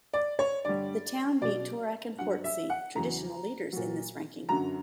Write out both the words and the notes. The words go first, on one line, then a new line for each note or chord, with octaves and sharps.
The town beat Toorak and Portsea, traditional leaders in this ranking.
D5
C#5
G2 D3 G3 D5
B2 F#3 D5
G2 F#3 F#5
E5
F#5
E2 C#3 F#3 A#5
A#2 F#3
F#2 D3 F#3 A#5